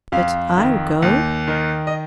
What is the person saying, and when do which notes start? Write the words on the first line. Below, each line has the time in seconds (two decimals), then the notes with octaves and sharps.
But I'll go.
0.12 F2 F5
0.57 D#3
1.02 D#2
1.48 D#3
1.87 D#5